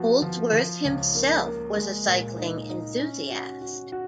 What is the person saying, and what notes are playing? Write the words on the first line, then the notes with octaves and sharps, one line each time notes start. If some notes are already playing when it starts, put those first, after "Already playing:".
Holdsworth himself was a cycling enthusiast.
Already playing: F3 B3 F#4
F3
F3
C#2
A#3
A#3
G#3
A#2
D#4
D#4
C#4
F#4
F#4
F#4